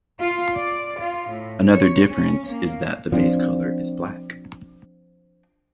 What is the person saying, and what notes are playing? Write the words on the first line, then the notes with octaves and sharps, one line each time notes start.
Another difference is that the base color is black.
F4
D5
F4
A2
C#5
C#4
A#3
F3 C4 D4